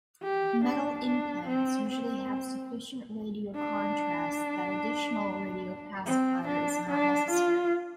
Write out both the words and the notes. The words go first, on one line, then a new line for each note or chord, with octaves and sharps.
Metal implants usually have sufficient radiocontrast that additional radiopacifier is not necessary.
G4
D4
D4
C4
C4
D4
C4
D4
D4
F4